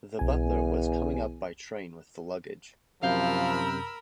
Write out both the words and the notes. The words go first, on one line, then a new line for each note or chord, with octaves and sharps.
The butler was coming up by train with the luggage.
B1 E2 G#5
F#2 C3 F3 A#4 F5 B5 E6 G6